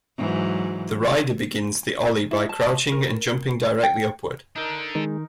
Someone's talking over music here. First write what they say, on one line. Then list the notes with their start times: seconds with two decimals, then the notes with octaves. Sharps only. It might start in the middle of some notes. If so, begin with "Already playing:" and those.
The rider begins the ollie by crouching and jumping directly upward.
0.18 G#2 E3 F#3
2.31 E4
2.49 A5
2.92 A#4
3.83 G5
4.56 D4 D#4 A4 A#4
4.95 D#3 G#3